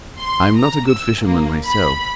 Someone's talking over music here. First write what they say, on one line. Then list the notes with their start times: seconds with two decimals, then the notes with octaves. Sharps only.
I am not a good fisherman myself.
0.19 C6
0.58 A#5
0.88 E6
1.24 A#3
1.66 B5